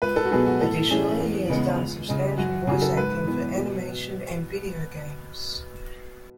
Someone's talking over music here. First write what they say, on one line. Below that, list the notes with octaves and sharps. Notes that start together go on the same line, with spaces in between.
Additionally, he has done substantial voice acting for animation and video games.
C#2 B4
A4
F#4
B2 F#3 B3 G#4
F#4
A2 A4
E3 A3 C#4 G#4
E2
C#3 G#3 B3
C#2
C#3 G#3
F#2 F#4
C#3 F#3 G#4
A4
G#2 B4
E3 B3
B2